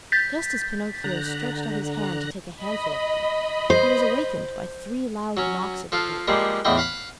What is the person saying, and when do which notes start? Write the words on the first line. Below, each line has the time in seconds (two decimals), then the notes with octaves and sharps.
Just as Pinocchio stretched out his hand to take a handful of them, he was awakened by three loud knocks at the door.
0.12 G6 A6 B6
1.04 D3 A#5 F#6
2.56 D#5 B5
3.70 C5
5.37 F#3 C#4
5.92 F3 A4 F5
6.28 F3 G3 G#3 A#3
6.65 E2 A2 D3 E4 D#5 G5
6.77 F5 F#5 B5